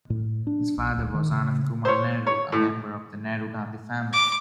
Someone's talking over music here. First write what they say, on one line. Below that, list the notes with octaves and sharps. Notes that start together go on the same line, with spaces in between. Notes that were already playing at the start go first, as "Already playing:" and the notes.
His father was Anand Kumar Nehru, a member of the Nehru-Gandhi family.
A2
D4
B1
D1
D#3
C#3
C5 C#5
C#5
A2
D6